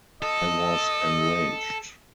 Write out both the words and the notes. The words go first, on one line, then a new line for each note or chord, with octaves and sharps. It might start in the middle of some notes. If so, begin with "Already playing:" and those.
I was enraged.
A4 D#5